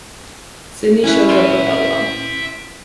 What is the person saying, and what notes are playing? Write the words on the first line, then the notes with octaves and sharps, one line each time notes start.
Sidney shows up with Elwell.
C#4 E4 B4
E5 C6